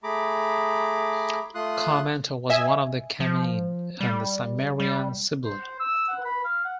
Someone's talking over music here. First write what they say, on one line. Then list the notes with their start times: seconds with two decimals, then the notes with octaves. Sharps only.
Carmenta was one of the Camenae, and the Cimmerian Sibyl.
0.03 A3 G#4 A#5 B5 D6
1.55 A3 F4 C6 D#6 F#6
2.50 D#5 E5 G#5
3.20 F3
4.01 G3
4.80 G3
5.45 C5
5.80 E6
6.08 F#5
6.24 B5
6.44 F5
6.64 F#5